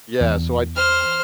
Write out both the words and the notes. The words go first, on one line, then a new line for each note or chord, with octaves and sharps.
yeah, so, I t
E2
C5 F6